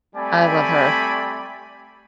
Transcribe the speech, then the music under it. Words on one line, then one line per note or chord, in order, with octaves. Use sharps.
I love her.
G3 A3 C4 D5 G#5 B5